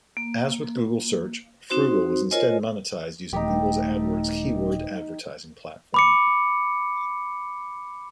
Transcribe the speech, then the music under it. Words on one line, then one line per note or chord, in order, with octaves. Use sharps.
As with Google Search, Froogle was instead monetized using Google's AdWords keyword advertising platform.
A#3
C4 D#4 F#4 C5 C6
F4 A#4 C5 C#5 D#5 G#5
D#1 A3 D#4 G4
B5 D6 C#7